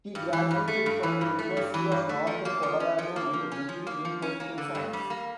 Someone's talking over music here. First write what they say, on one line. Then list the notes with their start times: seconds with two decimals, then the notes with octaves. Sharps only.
He graduated from the University of Northern Colorado with a degree in political science.
0.15 G2
0.33 E3
0.51 G2
0.68 A3
0.86 G2
1.03 E3
1.21 G2
1.39 A3
1.57 G2
1.74 E3
1.92 G2
2.09 A3
2.27 F3
2.45 A#3
2.63 F3
2.80 C#4
2.98 F3
3.16 A#3
3.33 F3
3.52 C#4
3.69 F3
3.87 A#3
4.05 F3
4.22 C#4
4.40 A#3
4.58 D3
4.75 G2
4.93 G3
5.10 A#3